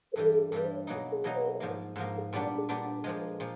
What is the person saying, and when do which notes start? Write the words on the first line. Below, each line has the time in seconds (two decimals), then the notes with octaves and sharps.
It was of normal control layout, with the driver behind the engine.
0.16 G2 E3 G3
0.52 G2 E3 G3
0.87 B2 F#3 A#3 D#4
1.24 B2 F#3 A#3 D#4
1.60 G#2 F3 A#3
1.96 G#2 F3 A#3
2.33 A#2 G3 B3 D4
2.69 A#2 G3 B3 D4
3.04 A#2 F3 G#3
3.40 A#2 F3